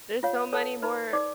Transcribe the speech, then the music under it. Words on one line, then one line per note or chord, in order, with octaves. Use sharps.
there's so many more
F4 C#5 F5
A4 C#5 A5
D#4 B4 B5
D#4 D5 D6